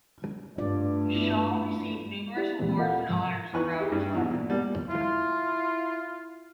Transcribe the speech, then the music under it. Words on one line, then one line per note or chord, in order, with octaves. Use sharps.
Shaw received numerous awards and honors throughout his life.
G2 A3 D4 F4 D5
B3 E4
E4 G4 D5
D2 A#2 E3 G#3 A#3 C4
F4 A4 A#4 D#5 F5 F#5
G#2 C3 F3
E2 D#4 B4 G#5 C#6 F#6
E4 G4 G#4
G2
E2 G#2 B2 E3
A#2
B2 G3 A#3
E4 F4